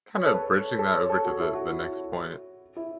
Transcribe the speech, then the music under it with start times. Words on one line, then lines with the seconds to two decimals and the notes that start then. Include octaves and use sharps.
kind of bridging that over to the the next point,
0.18 C#5
0.26 A4
0.34 B4
0.79 A4
0.94 C#5
1.10 A4
1.25 F#4
1.40 E4
1.54 F#4
1.70 E4
2.76 E4